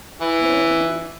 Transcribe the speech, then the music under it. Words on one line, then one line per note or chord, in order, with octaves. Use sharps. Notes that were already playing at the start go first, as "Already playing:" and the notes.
Heard anything?'
E3